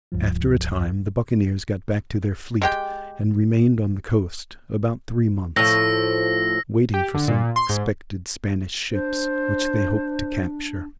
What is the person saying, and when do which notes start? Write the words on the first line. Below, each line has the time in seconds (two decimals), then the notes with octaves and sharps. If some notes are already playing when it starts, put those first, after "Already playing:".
After a time the buccaneers got back to their fleet and remained on the coast about three months, waiting for some expected Spanish ships, which they hoped to capture.
0.12 C#2 G2 F3
2.62 G#3 G4 G5
5.56 A2 F3 E6 A#6
6.94 G4
7.15 D3
7.28 A#2
7.56 C6
7.69 G#2
8.92 D4 C5